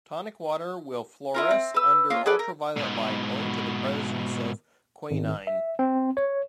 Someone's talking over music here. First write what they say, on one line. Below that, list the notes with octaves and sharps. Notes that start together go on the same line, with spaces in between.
Tonic water will fluoresce under ultraviolet light, owing to the presence of quinine.
E4 F4 A#4
C4
B4 E6
A#3 F4
G#4 A4 B4 D5
A#4
G#2 B2
G#1
E5
C4
C#5